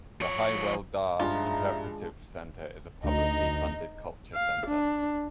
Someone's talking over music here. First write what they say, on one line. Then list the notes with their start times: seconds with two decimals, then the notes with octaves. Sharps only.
The Hywel Dda Interpretive Centre is a publicly funded culture centre.
0.21 F3 C#5
1.20 G2 F3 G#3 D4 D#4 F4 E5 A#5
3.04 D2 D#4 D#5
4.34 F5
4.66 D4